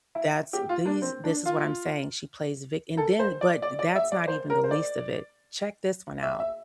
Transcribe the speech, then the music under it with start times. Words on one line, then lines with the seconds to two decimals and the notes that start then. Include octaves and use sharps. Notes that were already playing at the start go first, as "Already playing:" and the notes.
that's these this is what I'm saying. She plays vi and then but that's not even the least of it. Check this one out.
0.15 E4
0.53 G4
0.69 F4
0.85 D4
1.02 C4
1.24 D4
1.46 F4
2.97 A4
3.19 C5
3.41 D5
3.62 D5
3.79 D5
3.95 E5
4.12 D5
4.28 C5
4.50 A#4
4.64 C5
4.71 D5
6.23 E5
6.40 E5